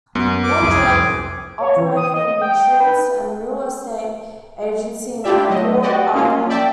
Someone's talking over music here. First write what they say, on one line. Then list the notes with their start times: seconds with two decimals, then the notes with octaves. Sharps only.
Wardrope operated an insurance and real estate agency in Port Arthur.
0.15 F#2 B3
0.43 D6
0.61 C2 F2 G#2 E4 G#4
1.60 C#5
1.77 E3
1.97 D#6
2.14 D#5
2.42 G5
2.80 B4
5.24 D4 E4 F4 G4 D5 E5
5.50 F#3 A3 D#5
5.83 F#4 G4 D5 D#5
6.14 A#3 C#4 F4
6.49 D5 E5 G5 A5